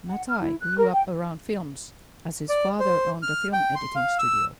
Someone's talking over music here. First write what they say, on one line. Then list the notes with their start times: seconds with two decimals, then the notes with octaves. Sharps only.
Mattei grew up around films as his father owned a film editing studio.
0.05 F#5
0.28 F6
0.40 E4
0.61 F#6
0.77 A#4
0.92 G5
2.49 D5
2.80 C5
3.22 F6
3.53 G5
3.76 C6
3.96 F5
4.19 E6